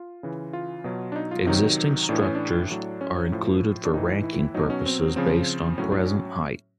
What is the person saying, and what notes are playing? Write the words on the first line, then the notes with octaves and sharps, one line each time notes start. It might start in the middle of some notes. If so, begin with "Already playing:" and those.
Existing structures are included for ranking purposes based on present height.
Already playing: F4
C#3 E3
F4
B2 F#3
D4
D#4
F4
C3 D#3 F#3 D#4
A2 E3 D4
C#4
D4
A2 F#3
C#4
A2 F3
D4
A2 E3 D#4
E4
E4
B2 F#3 D#4
C#4
C4
C#3 F3 C4
A2 F#3 C#4
D4
C#4